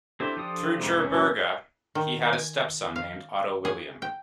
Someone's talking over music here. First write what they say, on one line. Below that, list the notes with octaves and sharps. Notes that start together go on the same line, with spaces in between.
Through Gerberga, he had a stepson named Otto William.
C4 D4 E4 G4 A4 C5
F3 F4 D#6
F2 G#2 C3
C#4
A#2 F#3 A5
D#3
G#5
F5
G#4
G5